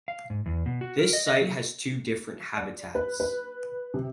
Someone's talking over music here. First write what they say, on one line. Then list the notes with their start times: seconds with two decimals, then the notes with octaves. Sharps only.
This site has two different habitats.
0.08 F5
0.30 G#2
0.46 E2
0.66 B2
0.81 F#4
0.99 A#4
1.13 D#5
1.27 D#5
1.41 F#3
2.57 D5
2.95 B4
3.20 B4
3.94 C3